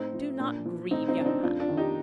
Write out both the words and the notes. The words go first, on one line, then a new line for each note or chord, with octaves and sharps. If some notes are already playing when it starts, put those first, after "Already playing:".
'Do not grieve, young man!
Already playing: A2 C4 D#4
F3
A#2 D4
F3
A2 C4 D#4
C4 D#4
F3 D4
C4 D#4
F2 D4 F4
D4 F4
D#3
D#4 G4